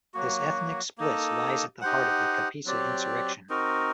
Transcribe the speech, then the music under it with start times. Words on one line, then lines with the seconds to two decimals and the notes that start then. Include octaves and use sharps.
This ethnic split lies at the heart of the Kapisa insurrection.
0.14 F#3 A#3 F#4
0.98 A#3 D#4 A4
1.81 D#4 G4 C5 F#5
2.66 F#3 C4 G4 D5
3.49 C4 D#4 F#4 A#4